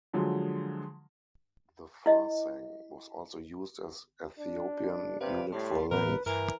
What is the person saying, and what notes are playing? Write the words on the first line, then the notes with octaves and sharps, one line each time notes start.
The farsang was also used as Ethiopian unit for length.
D3 F3 F#3 G#3
E4 D#5
D4
C3 B4 D5 F5
A2 G3 A5 C6
A2 E3 B3 A#4 B4
G2 E3 A#4